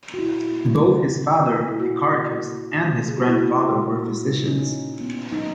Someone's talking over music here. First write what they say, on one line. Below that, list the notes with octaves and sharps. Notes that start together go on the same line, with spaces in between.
Both his father, Nicarchus, and his grandfather were physicians.
F#4
A#2 E4
A#3
A#2
A#2
A#2
E4
A#2 F#4
A#3
A#3
A#2
A#3 G#4
F#4
E4
A#3 F#4
A#2
A#3
A#3 D#4
C#4
D#4
C#3
A#3 B3
F#3 D#4